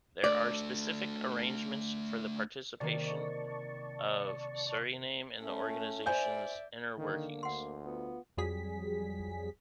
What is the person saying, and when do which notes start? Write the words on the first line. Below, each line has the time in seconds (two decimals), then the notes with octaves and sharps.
There are specific arrangements for the participation of Suriname in the organisation's inner workings.
0.24 A3 D4 D5
2.80 C3 D#3 A#3 D5 A5 C#6
5.40 A3 C#4
6.06 C5 D5 E5 G#5 G6
6.98 D3 D#3 A#3
7.43 D2 F#5 C6
7.85 B3 F4
8.37 F2 F#3 G3 G#4 B6